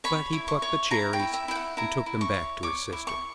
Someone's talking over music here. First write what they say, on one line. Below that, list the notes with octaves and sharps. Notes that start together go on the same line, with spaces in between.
But he plucked the cherries, and took them back to his sister.
C#5 B5
E4
C#6
C#5
E4 A#5
G5
E4
E5
E4 G5
F#5
E4 A#5
E4
C#6
C#5
C#5 D6
E4
C#6